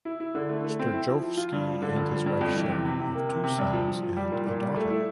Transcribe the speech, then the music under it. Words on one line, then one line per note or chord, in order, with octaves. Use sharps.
Sterjovski and his wife Sharon have two sons and a daughter.
E4
E4
D3
A3
A3
C4
E4
F3
F3
F4
G2
F3
D3
G2
F3
G2
F2
E3
C3
C3
C3
A#3
C3
C3
G2
F3
F3
F3
G3
A#2
A#2
G3
A3
E4